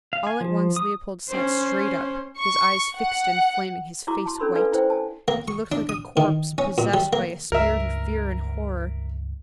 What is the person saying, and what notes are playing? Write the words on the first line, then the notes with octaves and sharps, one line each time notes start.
All at once Leopold sat straight up, his eyes fixed and flaming, his face white: he looked like a corpse possessed by a spirit of fear and horror.
F5
G#5
F3
D#6
C#4 C5
C#6
F#5
E4 F#4 G4 A#5 D6
A5 C6
C#4 D4 A4 A#4 B5 C6
A4 B4 D5 F5 G#5
E4 C5 G5
G#5 A5
A#3
C#6
D4
D#6
D#3
C#4
A#2
G3
A#3
C#2 G2 A#4 E5